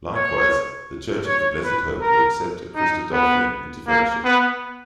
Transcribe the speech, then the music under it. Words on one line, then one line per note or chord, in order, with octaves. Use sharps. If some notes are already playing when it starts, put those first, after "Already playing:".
Likewise, the Church of the Blessed Hope will accept a Christadelphian into fellowship.
C#5
C#5
B4
A#4
D#4
B3
A#3
B3